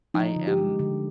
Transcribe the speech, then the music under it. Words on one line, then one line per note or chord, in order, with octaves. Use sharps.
I am
F3 D#4
D3
G4
G#3
D3